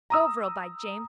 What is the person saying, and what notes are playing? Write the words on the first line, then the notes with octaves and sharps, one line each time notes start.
Bovril, by James.
A#5 D#6 E6